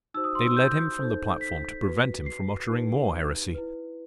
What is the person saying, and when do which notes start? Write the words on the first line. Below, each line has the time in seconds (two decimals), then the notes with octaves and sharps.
They led him from the platform to prevent him from uttering more heresy.
0.14 D#4 F#4 C5 E6
0.24 D#6
0.35 C6
0.46 E6
0.57 G6
0.99 D#4 A4 C5
1.41 B6
1.84 F#4 B4
2.26 C7
2.69 D#4 G4 B4
3.54 E4 B4